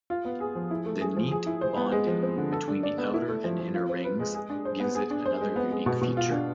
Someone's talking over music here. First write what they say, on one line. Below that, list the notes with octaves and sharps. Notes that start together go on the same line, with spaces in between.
The neat bonding between the outer and inner rings gives it another unique feature.
F4
B3
G#4
F3
E4
A3
G#4
F3
G#4
E4
C5
B3
G#3
F3
C4
D3
A4
D4
D5
B3
E4
A3
F3
F3
F4
C4
B4
G#3
G#4
D4
C5
B3
G#4
D4
C5
G#3
B3
G#3
B2
B2
F4
D4